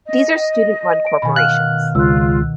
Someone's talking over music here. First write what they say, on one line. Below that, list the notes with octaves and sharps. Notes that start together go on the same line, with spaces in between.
These are student-run corporations.
D#5
D7
B2 D#3 G#5 B5
F5 F6 F#6
C#2 F4 E6 F#6